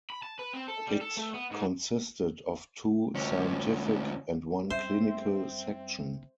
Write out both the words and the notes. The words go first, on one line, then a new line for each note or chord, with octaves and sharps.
It consisted of two scientific and one clinical section.
B5
A5
B4
C4
A4
G3
A4
A3
B3
G#2
D2 C#4
F#2 G3 C4 C5 E5